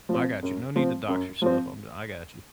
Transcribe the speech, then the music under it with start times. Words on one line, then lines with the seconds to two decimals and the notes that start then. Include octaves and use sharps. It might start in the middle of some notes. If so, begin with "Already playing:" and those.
I got you, no need to dox yourself, I'm d I got you.
0.09 F3 C4
0.43 F#2
0.76 F3 C4
1.08 F#2
1.42 F3 C4